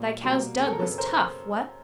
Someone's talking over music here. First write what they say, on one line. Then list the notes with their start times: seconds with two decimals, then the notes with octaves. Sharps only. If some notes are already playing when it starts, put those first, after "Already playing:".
Thy cow's dug was tough, what?
Already playing: A#2 G3 A#3
0.23 B2 G3 A#3
0.58 G#4
0.65 A4
0.72 A#4
0.79 F#2 C#3 F#3 A4 B4
0.98 A#4 C5